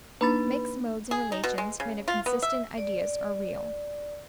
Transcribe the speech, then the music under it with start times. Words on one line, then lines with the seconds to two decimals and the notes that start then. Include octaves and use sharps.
Mixed Modes and Relations, made of consistent Ideas, are real.
0.21 A#3 D4 D#4 B4 B5 A6
1.11 G#4
1.32 D#4
1.44 B2
1.58 G#3
1.80 C#3
2.08 F4
2.26 B3
2.42 E5
2.78 D5